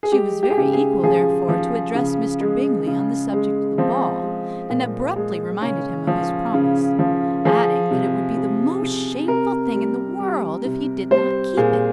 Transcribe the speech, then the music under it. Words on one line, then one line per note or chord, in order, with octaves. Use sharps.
She was very equal, therefore, to address Mr. Bingley on the subject of the ball, and abruptly reminded him of his promise; adding, that it would be the most shameful thing in the world if he did not keep it.
G#4
G#3 G4
G4
G#4
C#3 G4
G#4
F3 G#4
F3
C#3
G#3
C#3
G#3
F3 C4
G#3
A#2
G#3
C#3 C#4
F3
C#3
F3
F3 G#4
C3
C3
C3
C3 A#4
G3
G3
C3
G3 C5
A#2 G#4